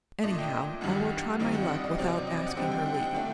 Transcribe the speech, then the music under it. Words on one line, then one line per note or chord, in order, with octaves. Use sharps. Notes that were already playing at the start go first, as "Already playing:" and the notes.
Anyhow I will try my luck without asking her leave.
A#2 A3 D4 D#5
G5
G2 D#3 G3 F#5
G2 D#3 G3 C4 D#4 G5
F#5
D5
D#5
D5
D#5
C3 F#3 C4 D#4 D5
D#5
D5
F#5
D3 G3 C4 D#4 G5
G5
F#5
G5
F#5
D3 A3 D4 G5